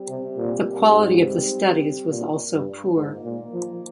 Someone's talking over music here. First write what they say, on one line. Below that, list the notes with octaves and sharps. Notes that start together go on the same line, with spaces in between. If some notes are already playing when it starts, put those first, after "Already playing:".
The quality of the studies was also poor.
Already playing: G3 C4 G4
C3
A#2
G#2
A#2
G2
G#2 D#3 A#3 F4 A#4
A#2
F3